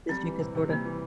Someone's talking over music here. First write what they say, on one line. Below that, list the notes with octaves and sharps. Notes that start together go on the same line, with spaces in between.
that you could sorta
G3 C4
E3
C3
C3
G3 A#3
E3